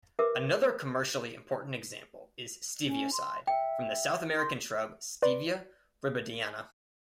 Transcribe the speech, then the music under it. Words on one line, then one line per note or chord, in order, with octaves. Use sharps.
Another commercially important example is stevioside, from the South American shrub "Stevia rebaudiana".
G4 A#4 B4 E5 D6
C#4
C6
E5 G5
C6
B4 D5 C6